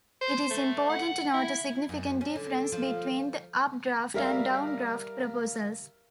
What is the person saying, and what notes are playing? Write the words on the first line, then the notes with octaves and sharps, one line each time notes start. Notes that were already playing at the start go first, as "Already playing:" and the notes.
It is important to note a significant difference between the up-draft and down-draft proposals.
C5
A3
F#5
E4
F#2
C#4
D3
F3
G3 A#4 E5 F5